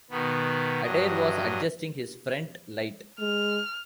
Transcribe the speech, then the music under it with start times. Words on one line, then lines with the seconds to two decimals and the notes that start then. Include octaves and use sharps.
Adair was adjusting his front light.
0.11 B2 D#3 B3
0.83 G2 F#3 D#5
3.20 G#3 F6